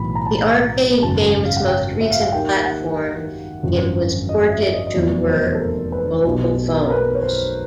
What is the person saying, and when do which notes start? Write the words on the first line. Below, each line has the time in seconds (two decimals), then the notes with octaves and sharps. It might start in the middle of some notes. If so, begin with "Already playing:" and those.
The arcade game's most recent platform it was ported to were mobile phones.
Already playing: B1 A2 E3 B5
0.15 A#5
0.26 A5
0.37 A#5
1.02 G#1 F#2 C#3 A5
1.45 F5
1.57 F#5
1.68 G5
2.01 E5
2.11 F5
2.22 F#5
2.32 D#2 D#3 G3 G5
2.66 F#5
3.63 G#1 F#2 D3 F3
4.29 D#5
4.44 D#5
4.50 E5
4.64 D5
4.73 D#5
4.87 D#5
4.94 F1 E2 B2 F#3 D5
5.27 C5
5.55 A4
5.59 A#4
5.92 B4
6.25 B1 B2 G3
6.86 A#4
6.90 B4
7.15 C#5
7.23 C5